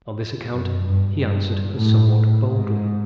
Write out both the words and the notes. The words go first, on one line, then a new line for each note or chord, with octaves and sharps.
On this account he answered her somewhat boldly.
F#2
G2
G2
G2
A2
G#2